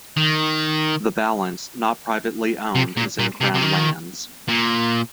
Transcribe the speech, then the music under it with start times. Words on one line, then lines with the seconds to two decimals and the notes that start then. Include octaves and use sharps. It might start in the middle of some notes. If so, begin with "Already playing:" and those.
The balance, not privately owned is in Crown Lands.
0.17 D#3
2.76 C3
2.97 A#2
3.19 A#2
3.41 C3
3.54 C3
3.62 D#3
4.49 A#2